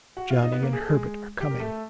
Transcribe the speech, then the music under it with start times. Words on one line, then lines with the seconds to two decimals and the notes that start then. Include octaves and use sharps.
Johnny and Herbert are coming.
0.17 F#4 F#5
0.30 F4 F5
0.43 D#4 D#5
0.52 B3 B4
0.62 A#3 A#4
0.73 G#4
0.80 A4
0.89 G#3 G#4
1.40 G4
1.51 A#4
1.60 A3 A4